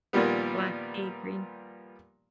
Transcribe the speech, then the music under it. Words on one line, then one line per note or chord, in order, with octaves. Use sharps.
Black tea, green
A#2 D#3 F3 G3 B3